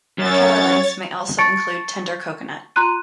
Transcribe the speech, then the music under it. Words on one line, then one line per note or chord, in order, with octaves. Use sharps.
Keralites may also include tender coconut.
F#2 C#5 A6
A5 C#6 A6 C#7 D7
F4 A#5 C6 F#6 D#7